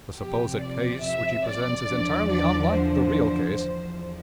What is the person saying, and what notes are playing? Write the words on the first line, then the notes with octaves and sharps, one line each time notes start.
The supposed case which he presents is entirely unlike the real case.
F2 C3 F3 G4
D5
E5
D5
E2 D3 F3
D5
C5
E2 D3 F3